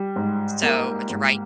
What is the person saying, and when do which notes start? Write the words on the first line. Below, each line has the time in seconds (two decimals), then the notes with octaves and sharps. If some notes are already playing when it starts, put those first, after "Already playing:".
so, to write
Already playing: G3
0.16 G#2
0.63 A#3
1.10 G#2